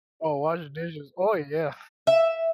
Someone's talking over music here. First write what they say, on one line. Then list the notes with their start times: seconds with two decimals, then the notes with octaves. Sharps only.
Oh, washing dishes. Oh, yeah.
2.07 E5